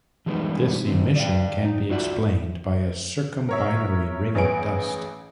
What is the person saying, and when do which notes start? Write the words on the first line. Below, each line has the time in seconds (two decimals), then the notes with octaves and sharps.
This emission can be explained by a circumbinary ring of dust.
0.26 E3 G3 G#3 A#3 B3 D#4
0.87 D#3 C4
1.16 D5 F5 G5
1.65 D#4
1.90 F4 F#4 D5 E5 F#5
3.49 A#4 C#5 E5
4.35 A1 B3 G#4 D7